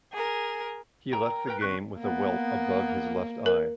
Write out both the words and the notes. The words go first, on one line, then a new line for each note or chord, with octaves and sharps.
He left the game with a welt above his left eye.
G#4 A#4
A#4 G5 A#5
A#4 B4 G5 A#5
D3 C4 C#6 F#6
A#3 B3
A#4